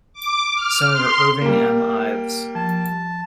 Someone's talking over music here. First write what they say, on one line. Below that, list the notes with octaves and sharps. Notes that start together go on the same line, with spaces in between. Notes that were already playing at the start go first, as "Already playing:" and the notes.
Senator Irving M. Ives.
D6
F6
C6
G3 A#3
F3 A5